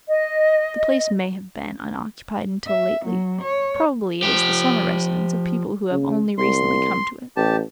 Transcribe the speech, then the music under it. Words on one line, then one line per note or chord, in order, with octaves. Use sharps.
The place may have been unoccupied until lately--probably it is the summer residence of people who have only recently come to it.
D#5
E5
F#3
C#5
F3 G4
C#3
C2 C6
A1 G4 A5